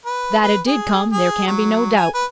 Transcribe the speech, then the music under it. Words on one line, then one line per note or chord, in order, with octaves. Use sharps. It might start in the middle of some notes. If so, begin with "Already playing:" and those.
That it did come there can be no doubt.
B4
B4
G#4
G#4
F#3
G#5
B4